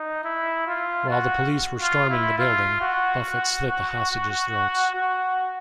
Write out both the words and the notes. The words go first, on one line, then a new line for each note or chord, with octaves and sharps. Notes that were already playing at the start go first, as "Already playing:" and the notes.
While the police were storming the building, Buffet slit the hostages' throats.
Already playing: D#4
E4
F4
F#4
F4
E4
F4
F#4
F#4